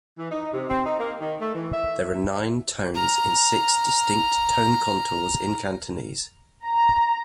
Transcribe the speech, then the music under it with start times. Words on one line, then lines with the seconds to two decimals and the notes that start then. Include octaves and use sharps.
There are nine tones in six distinct tone contours in Cantonese.
0.18 E3
0.31 D#4
0.53 C3
0.70 C4
0.85 D#4
1.00 A#3
1.21 D#3
1.41 A3
1.55 E3
1.73 E5
2.95 A#5 F6
6.65 A#5